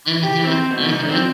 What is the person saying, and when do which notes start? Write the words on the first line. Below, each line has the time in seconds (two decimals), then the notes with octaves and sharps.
Mhm, mhm.
0.23 G4
0.44 C4
0.71 B2
0.90 G#2
1.08 C4